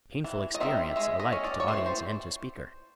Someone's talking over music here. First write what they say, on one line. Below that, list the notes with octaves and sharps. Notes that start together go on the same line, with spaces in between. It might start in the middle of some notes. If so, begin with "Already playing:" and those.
Painful experience alike to audience and to speaker!
E3
D#5
G3 C4 D#4 E5
G#3 E5
D#5
C#4
D5
C#5
E3 C5
C5